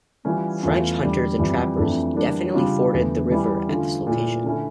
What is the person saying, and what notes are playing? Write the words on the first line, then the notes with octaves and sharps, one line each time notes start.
French hunters and trappers definitely forded the river at this location.
E3 G3 C#4 F4
E2 E3 A3 C#4 F4
E2 D3 G3
F2 E3 G3
F2 E3 A3 D4
E3 G3 A#3 D4
C#3 G3 D4 F4
E2 D3 A3
E3 G3 C#4 E4
D3 A3 C#4 F4
A#2 A3 E4
D3 A3 C#4 E4